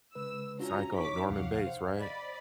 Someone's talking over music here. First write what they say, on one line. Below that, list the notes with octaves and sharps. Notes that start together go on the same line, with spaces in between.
Psycho, Norman Bates right?
C#3 G#3 B4 E6
C#4 D4 F4 F#4 A#5
D#4 C#5 C#6 D6 B6
D#2 C3 F3 F5 F#5
C5
D5 D#5 B5